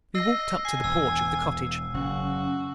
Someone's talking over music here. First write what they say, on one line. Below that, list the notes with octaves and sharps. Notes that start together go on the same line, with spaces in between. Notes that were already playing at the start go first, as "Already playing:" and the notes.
We walked up to the porch of the cottage.
D#5 E6 C7
G#5 C7
E1 E6
F#1 C#4 F#4